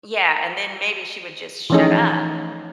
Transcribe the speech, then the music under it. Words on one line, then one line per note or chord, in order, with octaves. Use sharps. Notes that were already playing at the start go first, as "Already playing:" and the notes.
Yeah, and then maybe she would just shut up
E3 F3 A3 C#4 D#4 G#4